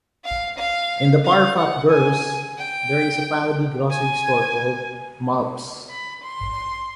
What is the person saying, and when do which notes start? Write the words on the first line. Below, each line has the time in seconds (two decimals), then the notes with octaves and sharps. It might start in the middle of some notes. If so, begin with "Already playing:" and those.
In "The Powerpuff Girls", there is a parody grocery store called "Malph's".
0.25 F5
0.58 F5
1.25 F5
1.58 F#5
1.91 G#5
2.58 G5
3.91 G#5
5.90 B5
6.23 C6